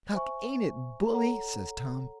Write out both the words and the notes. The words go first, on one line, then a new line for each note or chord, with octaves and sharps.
"Huck, ain't it bully!" says Tom.
C5 E5 G#5 C#6
A4 C#5 F#5 A#5